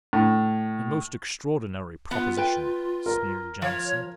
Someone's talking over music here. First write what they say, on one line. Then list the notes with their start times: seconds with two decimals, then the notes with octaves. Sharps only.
"A most extraordinary proposition," sneered Johnson.
0.13 A2
2.11 B3 F4
2.37 B4 G5
3.06 A#4
3.62 F3 C#5